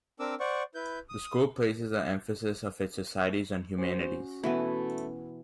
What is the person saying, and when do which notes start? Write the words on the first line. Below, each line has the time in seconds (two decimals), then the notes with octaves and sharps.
The school places an emphasis of its societies on humanities.
0.20 C4 D4 A#4 D6 E6
0.40 C5 D5 F#5 C#6
0.75 E4 B4 G6
1.09 D#6
3.78 C#4 F#4 C5
4.43 B2 E3 A3 B3 E4